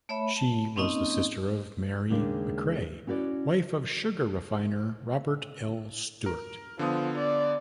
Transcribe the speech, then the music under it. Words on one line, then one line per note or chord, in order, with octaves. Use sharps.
She was the sister of Mary McCrea, wife of sugar refiner Robert L. Stuart.
A3 C#5 E5 B5
A5
A#3 C4 C#4 D#4 D#5
D#2 C#3 G#3 D4
C#4 E4 F#4 C#5 D5
A#4
D3 F3 B3 D#6
D5